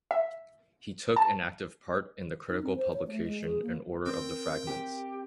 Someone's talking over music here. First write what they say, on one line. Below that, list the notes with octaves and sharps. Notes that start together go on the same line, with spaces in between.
He took an active part in the critical publication and order of the fragments.
E5
A5
D#4
C4
C5
C#5
A3
G#3
G#4
A#3
C4 A#4 G5
G4